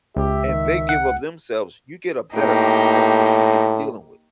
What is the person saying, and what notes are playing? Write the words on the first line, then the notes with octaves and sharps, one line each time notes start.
and they give up themselves, you get a better understanding of who you're dealing with.
C#2 G4 E5
D#3
F#5
A2 A#3 D#4 G4